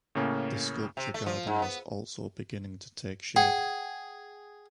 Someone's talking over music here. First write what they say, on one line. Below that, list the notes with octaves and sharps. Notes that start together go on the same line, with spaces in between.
The sculpture garden was also beginning to take shape.
A2 C#3 A#3 C#4
C3
A3
F3
G#2
B3
G#4 F#5 G5